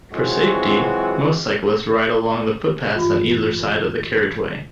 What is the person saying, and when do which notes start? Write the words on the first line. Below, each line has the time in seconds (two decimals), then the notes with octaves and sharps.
For safety, most cyclists ride along the footpaths on either side of the carriageway.
0.12 E3 F#3 G#3 C4 F4 F#4
2.95 G2 E3 F4